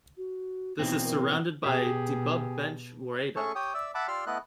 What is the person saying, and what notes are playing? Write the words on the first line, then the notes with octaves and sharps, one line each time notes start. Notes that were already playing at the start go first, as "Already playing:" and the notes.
This is surrounded by Debub Bench woreda.
F#4
B2 E3 C4 D#4
A#4
B2 G4 G#4
A3 C#4 G#4 A4 C#6
G4 C#5 G5 D#6
D5 E5 E6
E5 F#5 A5 B5 D6
F4 G4 D5 C6 E6 F6
A3 B3 E4 A4 D#5 F#6